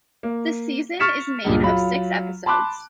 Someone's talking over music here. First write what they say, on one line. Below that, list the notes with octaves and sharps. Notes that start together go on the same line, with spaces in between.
The season is made of six episodes.
A#3
C#6 F6 A6 B6 C#7 E7
C#2 G2 A#2
F#3 F4 B5
A5 B5 C6 D6 F#6